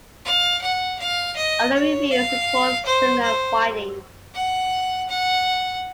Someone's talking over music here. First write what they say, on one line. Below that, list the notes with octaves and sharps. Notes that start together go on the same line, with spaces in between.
Other reviews report similar findings.
F5
F#5
F5
D#5
C#5
F5
C5
C5
F#5
F#5